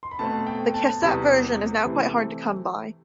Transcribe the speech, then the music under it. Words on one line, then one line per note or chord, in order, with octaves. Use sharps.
The cassette version is now quite hard to come by.
C6
B5
B2 A3 C4 A5
G5
A5
E2 C3 G3
C3 E3 A3 C4